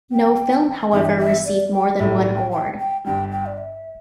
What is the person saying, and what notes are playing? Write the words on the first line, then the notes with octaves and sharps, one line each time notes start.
No film however received more than one award.
G5
G1 G2 E3 B3 D4 E5
E5
D5
G5
B1 A2 G3 E4 A4 E5
D5
G5
G5
G5
G1 G2 G3 G5
G5
D5
E5